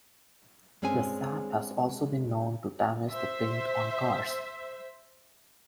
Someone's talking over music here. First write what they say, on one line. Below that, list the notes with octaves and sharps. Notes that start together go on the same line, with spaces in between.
The sap has also been known to damage the paint on cars.
G2 G#3 C4 C#4 G#4 G#5
C5 E5